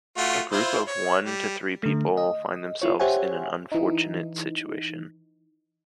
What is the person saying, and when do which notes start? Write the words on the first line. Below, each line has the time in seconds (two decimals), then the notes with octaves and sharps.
A group of one to three people find themselves in an unfortunate situation.
0.17 A3 F4 F#4
0.52 E4 F4 C5
0.87 C#5
1.26 G3
1.83 D3 A3
2.17 D#5
2.82 E4 F4 C#5
3.00 G4 C5 C#5 E5 F#5 G#5
3.72 E3 D#4